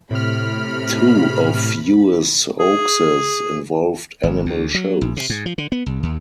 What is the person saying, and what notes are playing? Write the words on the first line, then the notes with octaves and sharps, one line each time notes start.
Two of Hughes's hoaxes involved animal shows.
A2 C3 B5 F6
G#4
G#1
D2
F#3
A#1
C3
G#2
F3
D3
B3
C2
D#2